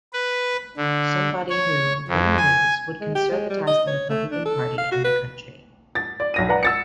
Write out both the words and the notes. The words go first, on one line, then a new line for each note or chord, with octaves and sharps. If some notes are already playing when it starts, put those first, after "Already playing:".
Somebody who, win or lose, would conservatize the Republican party and the country.
B4
D3
C#5
F2
G#5
G#3
G4
G#3
G3
D#5
C#5
A3
D4
A4
F5
F#4
B4
A6
D5
B1 A#6 D#7
B4 D5 F#5 A#5
E6 A6 C#7